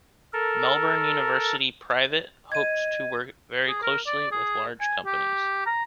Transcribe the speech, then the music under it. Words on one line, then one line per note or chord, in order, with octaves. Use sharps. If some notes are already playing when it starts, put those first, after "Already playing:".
Melbourne University Private hoped to work very closely with large companies.
A4 A#4
D#5 G#6 D#7
G#4
A#4
D5
G#4
G#5
G4
A#5